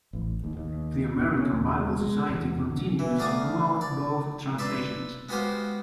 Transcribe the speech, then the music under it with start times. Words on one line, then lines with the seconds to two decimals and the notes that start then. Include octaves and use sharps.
The American Bible Society continues to promote both translations.
0.13 A1
0.44 D#2
0.57 D#2
1.20 B2
1.37 C#4
1.53 D#2
1.80 G#3
1.99 G#3
2.29 E2
2.70 D3
2.99 E3
3.19 D2 D5 F5 D6 D#6
3.81 D5
4.59 B4 D5 E5 C6
5.29 G#3 B3 F#4 G4 C5 F5